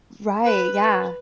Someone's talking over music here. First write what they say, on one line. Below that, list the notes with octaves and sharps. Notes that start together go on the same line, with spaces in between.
Right, yeah.
B4
B4